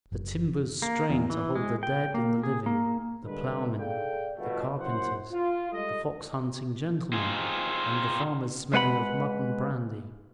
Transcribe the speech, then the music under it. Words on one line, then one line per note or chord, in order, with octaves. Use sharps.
The timbers strain to hold the dead and the living, the ploughmen, the carpenters, the fox-hunting gentlemen and the farmers smelling of mud and brandy.
F#1
A#3
E2
E3
G#3
G5
A#3
G#4
A#3
D3 G3 G#3 A#3 B4
G#4 A4 D5 F5 G5
G1 B2 A3
F#2 E4 C5 F#5
F4
G3 G#3 A4 D#5
C4 D#4 F4 G#4
G#3 B4 F#5 B5